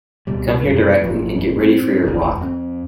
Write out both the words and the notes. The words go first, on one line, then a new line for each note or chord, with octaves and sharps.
Come here directly, and get ready for your walk!
C#2 B2 G3
F#2 B2 G3
G#1 F2 A#2 F#3
C4
D#1 G#1 G#2 D#3
F2 C4